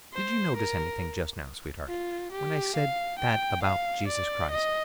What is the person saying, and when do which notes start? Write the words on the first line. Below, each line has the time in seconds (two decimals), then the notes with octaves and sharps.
"Did you notice anything just now, sweetheart--when I said that about Jesus Christ?"
0.14 C5
0.57 A#4
1.88 F4
2.32 G4
2.76 F5
3.19 G5
3.63 F5
4.08 D5
4.51 D#5